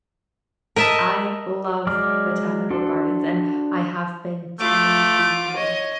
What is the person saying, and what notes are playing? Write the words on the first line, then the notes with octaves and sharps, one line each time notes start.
I love botanical gardens, and I have been to the
A#4 D#5 E5 A5
F#3 G#3 D5 D6 F6
D4 F#4 A4 C5
A3 F4 D6
C#5 D#5